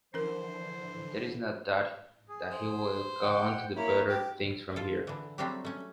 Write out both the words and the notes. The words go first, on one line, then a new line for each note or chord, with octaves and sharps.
There is no doubt that he will go on to better things from here.
D3 E3 F3 C#4 A#4 C5
G#4
C5
F#5 G5 G6
A#3 E4 C#5 B5
G4 D6
F4 A4
D3 E3
F#3 G3 A3 C4 D4 G4
A3 C#4